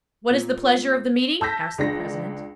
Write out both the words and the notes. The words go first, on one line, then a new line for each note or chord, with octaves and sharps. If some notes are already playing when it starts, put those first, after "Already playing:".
"What is the pleasure of the meeting?" asked the president.
A#2
A5 E6 G6 A#6 B6
C#2 D4 A#6